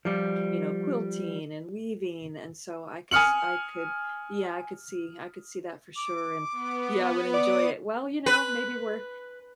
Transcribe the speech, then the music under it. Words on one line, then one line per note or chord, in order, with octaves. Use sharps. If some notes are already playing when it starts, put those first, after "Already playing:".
you know, quilting and weaving, and so I could s I could yeah, I could see I could see that for sure, and yeah, I would enjoy it, well, you know, maybe we're
F3 G3
G#5 D#6 F6 C#7 F#7
D6
B3
D5 D6 D#6
B4